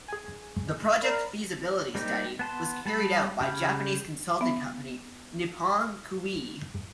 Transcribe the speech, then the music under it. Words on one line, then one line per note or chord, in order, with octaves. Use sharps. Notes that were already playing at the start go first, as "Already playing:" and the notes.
The project feasibility study was carried out by Japanese consulting company Nippon Koei.
G#4 G#5
A#4 D5 B5 F6
G3 A#3 C4 D#4 G4
B3 A5 C6
G3 A5 B5
C#3 G4 B5 F6
B3 E5